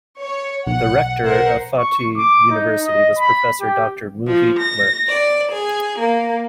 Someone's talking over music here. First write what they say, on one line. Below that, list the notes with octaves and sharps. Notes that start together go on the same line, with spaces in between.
The rector of Fatih University was Professor Doctor Muhit Mert.
C#5
B1 F#5
A#4 C5 F#5
C#6
D6
D#4
D#5
B5
G4
F3
A#6
D5
G#4
A#3